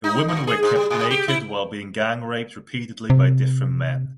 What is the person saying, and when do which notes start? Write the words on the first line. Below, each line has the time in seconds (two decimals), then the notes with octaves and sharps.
The women were kept naked while being gang raped repeatedly by different men.
0.04 D#4
0.28 A#2
0.47 G#4
0.63 G#2
0.75 G3
0.90 A2
1.10 G4
1.28 E4
3.10 C3